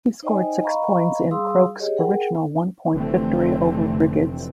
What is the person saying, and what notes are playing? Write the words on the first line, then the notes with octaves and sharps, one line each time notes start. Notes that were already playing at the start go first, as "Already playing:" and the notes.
He scored six points in Crokes' original one-point victory over Brigids.
D#4 C5 D5 D#5 G5 G#5
D#5 F5 A#5 B5 C#6
G3 G#4 F5 C6 D#6 E6
G4 G#4 C#5 D#5
G#4 A#4 F#5 G5
F1 D3 E3 A3 C4